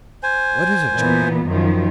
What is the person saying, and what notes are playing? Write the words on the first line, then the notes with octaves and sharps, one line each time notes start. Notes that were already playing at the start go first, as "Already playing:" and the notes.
"What is it, Chunky?"
C5 G#5
A#2 E3 B3
F#2 D#3 F3